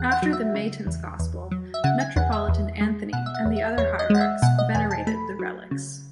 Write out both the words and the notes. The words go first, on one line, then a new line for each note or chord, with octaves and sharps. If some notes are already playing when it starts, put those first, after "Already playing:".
After the Matins Gospel, Metropolitan Anthony and the other hierarchs venerated the relics.
Already playing: E2 F#5
F#5
F#3
E5
C#3
E2
E2
F#3
E5
C#3 F#5
G#5
E2 F#5
E5
E2
G#3
B2 F#5
E5
F#5
E2
E5
E2 C#5
D#5
G#3 F#5
E5
B2 F#5
D#5
E2 G#5
A5
A3 B5
F#3
C#3